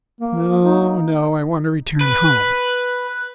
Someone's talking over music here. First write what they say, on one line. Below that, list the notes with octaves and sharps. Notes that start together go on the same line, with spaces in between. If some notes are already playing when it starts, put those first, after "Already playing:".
"No, no. I want to return home."
A#3
D#4
B4